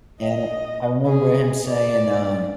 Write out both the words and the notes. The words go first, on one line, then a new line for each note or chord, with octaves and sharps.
and I I remember him saying, um,
D#5
G#4
D5